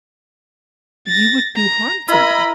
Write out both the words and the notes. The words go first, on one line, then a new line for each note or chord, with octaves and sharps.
you would do harm to me
A6 A#6
A#5
E4 A#4 D#5 B5